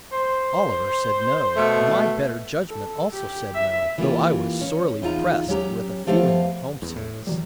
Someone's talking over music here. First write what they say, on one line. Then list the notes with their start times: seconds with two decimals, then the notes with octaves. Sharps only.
Oliver said no, and my better judgment also said no, though I was sorely pressed with a feeling of homesickness.
0.12 C5
1.57 B2 A3
2.69 A4
3.13 G4
3.55 E5
3.98 E3 A#3 F4 G4
4.61 C#4
5.02 E2 D#4 F4 A#5
5.48 F#3 C#4 G4 A#5
6.07 F3 A3 B3 G4 F5
6.82 E2
6.96 A2
7.27 E3 F#3 G3